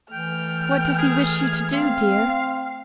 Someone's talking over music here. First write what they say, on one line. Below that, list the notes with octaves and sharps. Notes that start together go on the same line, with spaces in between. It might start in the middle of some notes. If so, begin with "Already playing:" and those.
'What does he wish you to do, dear?'
E3 A3 G5 F6
G#4
C4 F5